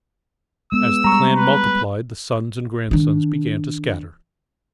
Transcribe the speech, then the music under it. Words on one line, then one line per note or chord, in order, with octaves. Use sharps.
As the clan multiplied the sons and grandsons began to scatter.
G#3 B3 E6
G3 A#5 C#6
B4
D#3 D4